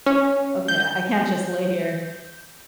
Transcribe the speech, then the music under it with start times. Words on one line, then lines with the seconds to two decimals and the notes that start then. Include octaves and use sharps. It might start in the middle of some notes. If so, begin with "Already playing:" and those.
ok, I can't just lay here,"
0.06 C#4
0.68 G6